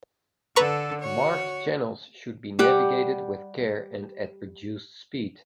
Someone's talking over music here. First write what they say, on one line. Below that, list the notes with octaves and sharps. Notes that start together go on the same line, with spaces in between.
Marked channels should be navigated with care and at reduced speed.
D3 A4 B4 A#5 C#6
F#4 C#5
G3 G4 F#5